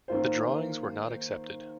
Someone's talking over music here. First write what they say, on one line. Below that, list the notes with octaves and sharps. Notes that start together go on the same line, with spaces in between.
The drawings were not accepted.
D#3 A#3 F4 C5